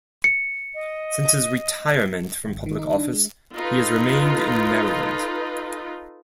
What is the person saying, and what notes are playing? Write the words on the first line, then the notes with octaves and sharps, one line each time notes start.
Since his retirement from public office, he has remained in Maryland.
C#7
D#5
G#1
D#3
D#4
D4
G#3
D#4 F4 A4 B4